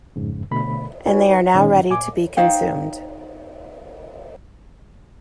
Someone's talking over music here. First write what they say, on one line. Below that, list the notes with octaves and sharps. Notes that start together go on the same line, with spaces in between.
And they are now ready to be consumed.
C2 F2 G#2 C#3
B2 D3 A3 B5
D#4 F#4 B4 C#5 G#5
A#2 D#3 C#4 D#4
A#2 G#5 D6
D#4 C5 F5 G5